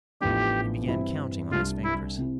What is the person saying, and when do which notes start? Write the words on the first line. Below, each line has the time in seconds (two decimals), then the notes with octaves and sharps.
He began counting on his fingers.
0.21 A1 A2 F3 B3 D4 G4
0.86 G2 E3 G3 C4 E4
1.51 C2 C3 G3 D4 F4
1.84 E4
2.18 C3 G3 C4 E4